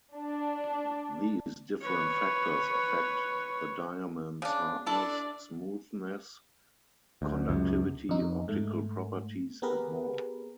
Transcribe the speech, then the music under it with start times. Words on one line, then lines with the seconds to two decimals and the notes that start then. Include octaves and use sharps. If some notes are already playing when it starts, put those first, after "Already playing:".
These different factors affect the diamond's hardness, smoothness, conductivity, optical properties and more.
0.14 D4
1.82 B4 C#5
4.42 C#3 D4
4.86 D4 E4 A4 D5
7.22 D2
7.49 C#2 F#2
8.09 F2 D#4
8.48 G#2 A3
9.62 B3 G4 G#4 A#4 B4